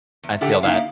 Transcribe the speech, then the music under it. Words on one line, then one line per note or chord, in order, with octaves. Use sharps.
I feel that.
E2
A2 D3 A3 G4 A4 F#5
A#3 D#4 E4 F5